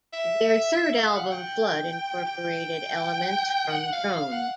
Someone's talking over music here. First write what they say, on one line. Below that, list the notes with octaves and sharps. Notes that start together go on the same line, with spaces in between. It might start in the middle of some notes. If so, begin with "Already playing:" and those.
Their third album "Flood" incorporated elements from drone.
E5
E5
F5
F#5
G5
G5
F#5
F5
F5
F#5